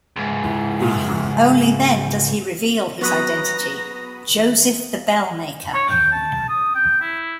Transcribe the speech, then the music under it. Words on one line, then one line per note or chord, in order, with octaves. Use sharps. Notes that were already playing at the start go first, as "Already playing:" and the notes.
Only then does he reveal his identity: Joseph the Bellmaker!
C#2 G#2
F#3 B3 B4 A#5 B5 C#6 D#6 F#6
C#5
G5
A5
D#6
G5
E4